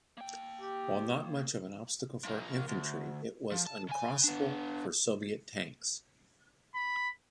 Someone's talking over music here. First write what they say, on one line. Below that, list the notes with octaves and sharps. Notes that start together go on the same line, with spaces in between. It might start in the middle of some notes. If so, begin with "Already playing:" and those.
While not much of an obstacle for infantry, it was uncrossable for Soviet tanks.
A#3 G5
G4
F3 A#4
D2
F3
A5
C#3 G#5
B3 D4
B5